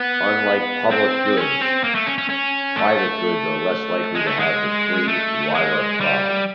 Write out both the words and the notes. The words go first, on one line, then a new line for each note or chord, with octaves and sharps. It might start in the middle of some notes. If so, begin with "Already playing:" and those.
Unlike public goods, private goods are less likely to have the free rider problem.
Already playing: B3
C4
C#4
C4
A#3
A3
C#4
C#4
C#4
A3
G#3
A3
G#3
A3
G#3
G3